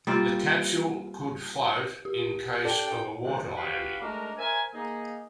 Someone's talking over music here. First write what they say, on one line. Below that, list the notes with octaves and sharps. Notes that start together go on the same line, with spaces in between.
The capsule could float in case of a water landing.
G3 A#3 C4 F4
G4
D4 A4 G5
D#3 F#3 G#3 A3 C4 D4
F#4 G4 B4 F5
G#3 A3 D4 D#4 A#4
A#4 C5 E5 G#5
A#3 D#4 G#4